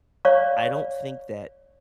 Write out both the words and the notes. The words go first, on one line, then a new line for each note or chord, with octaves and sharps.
I don't think that
C#5 D5 F5 C#6